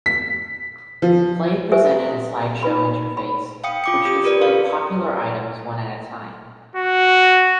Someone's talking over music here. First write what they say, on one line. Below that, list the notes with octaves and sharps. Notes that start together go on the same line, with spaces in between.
Play presented a slideshow interface which displayed popular items one at a time.
B6
F3
G4 A4 B4 C5 E5 G#5
D#4 B4 B5
B5
F5 G5 D#6 C#7
F4 D6 C#7
F4 G4 D#6
F4 G4 A#4 B4 D5
A#4 F5
F#4